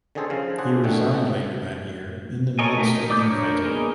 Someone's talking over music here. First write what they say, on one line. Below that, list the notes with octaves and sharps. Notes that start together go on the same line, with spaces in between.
He resigned later that year in the midst of infighting.
D3 D#3 C#4 G#4 A4 C5
C#3 F3 F5
D4 G#4 C5 F#5
A#1 D3 A3 C#4 F#5 G5
A4 A#4 C#5 D#5 G#5
A3 D#4 G4 A#4
D#4
A3 D5 D6 D#6 G6
D4 A#4 C#5
A#3 B3 D#4 G#4 A#4